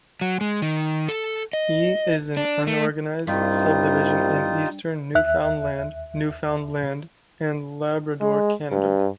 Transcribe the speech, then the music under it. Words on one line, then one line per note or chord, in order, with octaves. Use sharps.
E is an unorganized subdivision in eastern Newfoundland, Newfoundland and Labrador, Canada.
F#3
G#3
D#3
A4
D#5
D4
A3
C2 G2 G3 D#4 F4
D#2 E5 F#6
G#3
G2